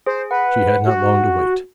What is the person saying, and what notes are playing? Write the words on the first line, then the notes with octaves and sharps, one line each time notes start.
She had not long to wait.
G#4 C5
B4 F#5
F#4